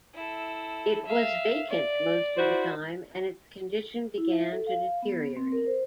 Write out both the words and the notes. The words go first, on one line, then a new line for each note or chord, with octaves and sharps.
It was vacant most of the time and its condition began to deteriorate.
E4 A4
E5 F5
D5
E4 F#4 C5
E4
E5
A4
F5
B3
C4
A#4
C5